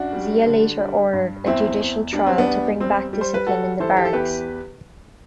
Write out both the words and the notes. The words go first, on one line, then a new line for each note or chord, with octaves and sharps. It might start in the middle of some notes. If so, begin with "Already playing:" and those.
Zia later ordered a judicial trial, to bring back discipline in the barracks.
Already playing: F#2 D4 F#4
G3
D3
G3
G2
E2 C4 E4
E2
G3 D4
C4
B3 D4
E2
G3 C4
G3
C5
B4
G3 F#4 A4
E3 A4 C5
G4
A4
E2 G4 B4